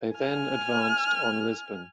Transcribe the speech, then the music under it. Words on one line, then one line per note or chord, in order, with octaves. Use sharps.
They then advanced on Lisbon.
G#5 F6